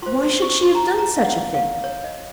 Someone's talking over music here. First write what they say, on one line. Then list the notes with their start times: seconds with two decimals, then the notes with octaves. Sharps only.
Why should she have done such a thing?
0.02 F4 C5 C6
0.22 C6
0.42 C#6
0.62 C6
0.75 A#5
0.87 A5
0.98 A#5
1.17 F5
1.23 F#5
1.54 F5
1.84 C#5
2.04 D#5